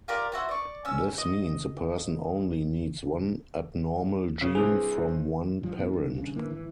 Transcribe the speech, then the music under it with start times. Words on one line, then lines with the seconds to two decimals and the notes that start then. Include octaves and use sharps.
This means a person only needs one abnormal gene from one parent.
0.08 F4 G4 A#4 D5
0.32 E4 F#4 C5
0.49 D5 C#6
0.85 C#4 E6
1.18 D#5
4.41 C#3
4.55 G2 C3 E3 G#4
5.63 G2 E3 F3
5.77 G2 A#2 E3 B3
5.93 G2
6.14 D#1 G2 C#3
6.36 A1 D3 E3 A#3
6.50 G#1 E3